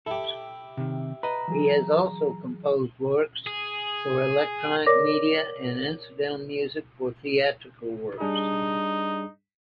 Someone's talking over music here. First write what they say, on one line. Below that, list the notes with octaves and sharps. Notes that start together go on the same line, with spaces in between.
He has also composed works for electronic media and incidental music for theatrical works.
E4 G4 A4
C3 D#3
B4 D#5 A#5 B5
E3 F#3 G#4
G#4
A#4 C#5 D5 D6 A#6
G3 D4 D#4 G#4